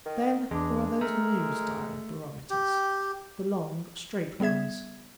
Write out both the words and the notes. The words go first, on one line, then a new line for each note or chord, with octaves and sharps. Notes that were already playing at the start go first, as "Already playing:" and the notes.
Then there are those new style of barometers, the long straight ones.
D#3
E2 G#3 D4
A3 A#4
G4
G3 B3 G#4 E5 G#6